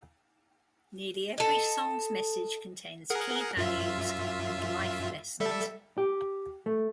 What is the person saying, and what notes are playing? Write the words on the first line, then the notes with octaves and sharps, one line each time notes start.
Nearly every song's message contains key values and life' lessons.
A4 D#5
G#4 A#4 F#5
F#2 F4 E5
G3 A4 E5
G4
A3